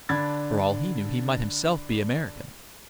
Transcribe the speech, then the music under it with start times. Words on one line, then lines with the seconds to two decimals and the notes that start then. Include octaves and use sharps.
For all he knew he might himself be American...
0.09 D3 D4 B5 G#6 A6